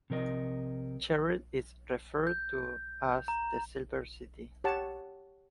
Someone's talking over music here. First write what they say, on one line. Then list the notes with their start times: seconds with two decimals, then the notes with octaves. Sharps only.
Sherrill is referred to as "The Silver City".
0.10 C3 F3 A#4 D#5
2.27 G6
3.28 A#5
4.64 G4 C#5 F#5 A5